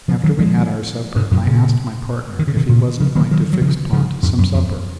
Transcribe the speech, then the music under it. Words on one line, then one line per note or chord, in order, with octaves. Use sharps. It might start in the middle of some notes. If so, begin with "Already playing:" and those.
After we had our supper I asked my partner if he wasn't going to fix Pont some supper.
C#3 F3
D#3 F#3
F3 G#3
G#2 C3
F#2 A#2
A#2 C#3
D#3
C#3
C3 D#3
A#2 C#3
C#3 F3
D#3 F#3
D#3 F#3
F#3
C#3 F3
C#3 F3
F2 G#2
F#2
F2